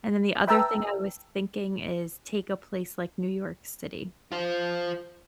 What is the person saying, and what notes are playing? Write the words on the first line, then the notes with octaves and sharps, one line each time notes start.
And then the other thing I was thinking is, take a place like New York City-
B4 E5 G5 A5 A#5 E6
F4 C5